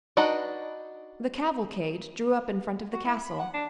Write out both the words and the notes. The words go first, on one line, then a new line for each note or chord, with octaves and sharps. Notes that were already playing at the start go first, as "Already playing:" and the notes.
The cavalcade drew up in front of the castle.
D4 D#4 F#4 B4 D#5
F#4
E4
B5
F#5
D4